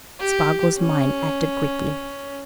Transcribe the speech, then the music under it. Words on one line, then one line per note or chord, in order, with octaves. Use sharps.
Spargo's mind acted quickly.
G4
C#4